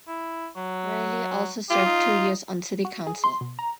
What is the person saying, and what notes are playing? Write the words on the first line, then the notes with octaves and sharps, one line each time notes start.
Reilly also served two years on city council.
E4
F#3
F4 G4
D#4
F#4
G#4
C6
B2
A#5